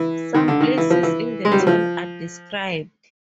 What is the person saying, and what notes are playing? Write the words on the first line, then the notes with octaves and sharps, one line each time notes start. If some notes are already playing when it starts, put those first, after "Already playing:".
Some places in the town are described.
Already playing: E3
D#3
D3
D#3
E3
F3
E3
G#3
G3
F#3
F3